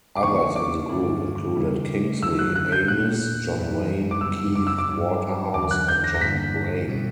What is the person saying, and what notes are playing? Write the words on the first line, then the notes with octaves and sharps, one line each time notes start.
Others in the group included Kingsley Amis, John Wain, Keith Waterhouse and John Braine.
D6
C#3 E3 A#3 D4 C#6
D6
G2 D3 A#3 E4
C#3 G3 C#4 E4
F#2 D3 F#3 C#4 E4 E6
F#6
F#6
G6
A#2 A#3 D4 F#6
F#2 E3 G3 A#3 E4
D6
F#2 C#3 G3 B3 E6
D6
E6
D6
G2 F#3 C#4
E2 D3 F#3 D6
F#6
G6
A#6
A#6
G2 D3 A#3 B6
B2 G3 C#4 E4